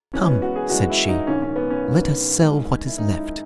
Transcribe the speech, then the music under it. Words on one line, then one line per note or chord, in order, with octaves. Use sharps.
"Come!" said she, "let us sell what is left."
F#2 E3 G#3 C#4
B3
F#4
G#4
F#2 E3 G#3 F#4
E4
D#4
A#1 G#2 D#3 C#4
C#4
B3
C#4
A#1 G#2 D#3
F#2 D#3 G#3
E4
F#2 D#3 G#3 D#4
E4